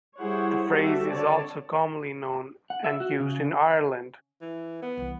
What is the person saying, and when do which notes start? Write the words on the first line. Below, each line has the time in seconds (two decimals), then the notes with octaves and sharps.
The phrase is also commonly known and used in Ireland.
0.19 G3 E4 G#4 C5 C#5 F#5
0.71 G3 C4 F#4 G4 A4 E5
1.11 D3 A4 C#5 D5 A5
2.70 F#5
2.84 E5
3.00 F#4
3.20 C#3
4.41 E3
4.82 B3
4.97 C2 E3